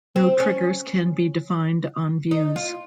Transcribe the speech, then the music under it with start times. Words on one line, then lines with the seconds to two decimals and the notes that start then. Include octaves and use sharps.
No triggers can be defined on views.
0.16 C4
0.40 C#4
2.31 D#4
2.56 F4